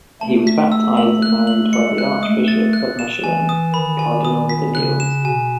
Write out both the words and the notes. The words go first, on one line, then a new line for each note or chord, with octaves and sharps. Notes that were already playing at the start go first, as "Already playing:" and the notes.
He was baptised and married by the Archbishop of Mechelen, Cardinal Danneels.
A3 A5
B6
E6
F#7
F#6
F#7
G#3 C#7
F#6
A3 D#6
A6
F#6
E7
E3 G#5
D#6
D#3 B5
G#5
D#6
B6
C#3 F#6
E7
B2 G#5